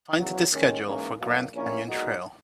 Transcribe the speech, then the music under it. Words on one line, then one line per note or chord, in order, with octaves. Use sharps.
Find the schedule for Grand Canyon Trail.
E2 C#3 F#3
D#2 D#3 G#3 C#4
G#2 E3 A#3 C#4
B1 B2 F#3 A#3
A#1 A#2 A#3 C#4 E4
B1 A#2 G#3 D#4 F#4